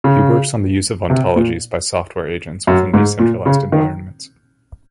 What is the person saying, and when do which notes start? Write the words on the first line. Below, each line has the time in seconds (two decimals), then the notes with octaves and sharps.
He works on the use of ontologies by Software Agents within decentralised environments.
0.04 C#3
1.10 C3
1.36 A#2
2.67 F#2
2.94 G#2
3.19 A#2
3.46 C#3
3.72 D#3